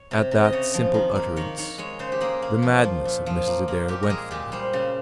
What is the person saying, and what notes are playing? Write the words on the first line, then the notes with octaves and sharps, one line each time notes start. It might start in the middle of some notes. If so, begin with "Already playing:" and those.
At that simple utterance the madness of Mrs. Adair went from her.
Already playing: C#5
C3
C3
D#5
C#3 C#5
F3
D#3
A#3
D#3 C#5
D#3 C#5
G#3 C#5
C#3 C5
G4
A#3 G#4
A#3
F3
F3
A#2
F3
A#3
A#3
A#2 G4
A#4
G#3 G#4
A#2 G4
G3 C5
C#3